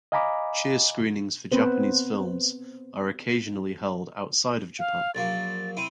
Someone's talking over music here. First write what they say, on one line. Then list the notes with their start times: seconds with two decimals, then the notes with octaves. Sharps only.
Cheer screenings for Japanese films are occasionally held outside of Japan.
0.12 D#5 F5 G#5 A#5 B5 D6
1.52 B3 C4 B4 C5
4.79 F5
5.15 A#1 F#3 A#3 A6
5.77 C4 E4 D#7